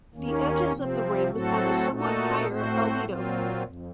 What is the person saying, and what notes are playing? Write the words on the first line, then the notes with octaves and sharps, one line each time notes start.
The edges of the rim have a somewhat higher albedo.
D#2 D#3 A#3 C#4
C3 F3 C4
A2 F#3 C4 F#4 A4
A#2 A3 D#4 F#4 A4
A2 A3 C4 F#4 C5
A#2 F#3 C4 F4
F2